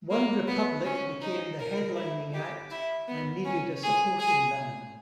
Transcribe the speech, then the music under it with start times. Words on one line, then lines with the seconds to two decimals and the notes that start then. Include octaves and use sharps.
OneRepublic became the headlining act and needed a supporting band.
0.10 A#3
0.48 B3
0.85 C#4
1.22 D#4
1.59 A#4
1.96 E4
2.34 G4
2.71 E4
3.08 B3
3.45 C#4
3.83 G#4
4.20 G#4